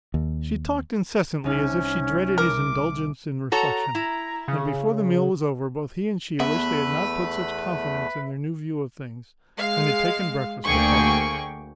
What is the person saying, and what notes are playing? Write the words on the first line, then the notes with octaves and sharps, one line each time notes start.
She talked incessantly, as if she dreaded his indulgence in reflection, and before the meal was over both he and she wished they had not put such confidence in their new view of things, and had taken breakfast apart.
D#2
C2 C#4 D#4
A#4 D6
F#4 A4 C#5 A#5
E4
C#3
E2 A3 B3 B4 E5
G#3 F5
D2 D3 A#3 G#4 G5 C#6